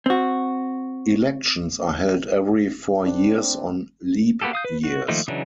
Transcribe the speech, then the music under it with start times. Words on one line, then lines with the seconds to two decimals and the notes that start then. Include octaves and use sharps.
Elections are held every four years on leap years.
0.06 C4 F#4
3.06 C4 D4
4.42 A#3 B3 F#4 G4 A4
4.53 F5 D#6 G6
4.65 B4
4.84 F#4
5.08 D#3 F3 A3 A#3 D#4
5.28 C#3 E3 F#3 D4 D#4